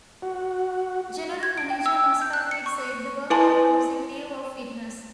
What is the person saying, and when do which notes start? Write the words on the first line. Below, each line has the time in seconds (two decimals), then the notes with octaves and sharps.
General manager Muzz Patrick said the workout was in lieu of fines.
0.22 F#4
1.43 G#6
1.58 D7
1.70 G5
1.86 E6
2.22 G6
2.33 F#6
2.51 C#7
2.66 C#6
3.30 E4 B4 G#5 A5 C6